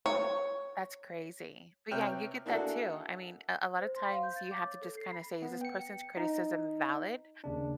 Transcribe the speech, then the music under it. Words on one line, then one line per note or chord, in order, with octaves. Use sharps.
That's crazy, but, yeah, you get that too. I mean, a a lotta times, you have to just kinda say, "Is this person's criticism valid?
C#5
C3 B4 C#5 G5 F6
A#3 D4 E4 F#4 G#4 A4
C5
C6
F5
G6
A6
D6
C#5
A4
C7
B5
B3
G5 C#7
D#4
D#2 C#3 D4